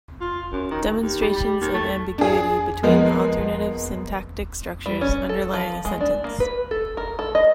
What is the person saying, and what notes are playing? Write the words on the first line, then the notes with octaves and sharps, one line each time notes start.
Demonstrations of ambiguity between alternative syntactic structures underlying a sentence.
F4
F#2
D#3
D2
D#2
G3
G3
D#2
A3
D4 G#4
F3 G#3 A#3 B3
G3
C#4
A4
F3
G#3
D4
A#3
B4
A4
A#4
A4
D#5